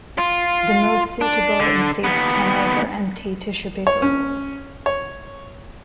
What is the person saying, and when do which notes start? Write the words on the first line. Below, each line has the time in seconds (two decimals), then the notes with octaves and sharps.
The most suitable and safe tunnels are empty tissue paper rolls.
0.18 F4
1.21 D4
1.60 D3
2.04 D#2 B3
3.87 C#5
4.02 C#4
4.86 C#5